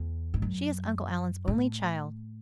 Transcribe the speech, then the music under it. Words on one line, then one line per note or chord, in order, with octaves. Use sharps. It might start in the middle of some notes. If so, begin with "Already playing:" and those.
She is Uncle Allan's only child.
Already playing: E2
G#2
F#2
A2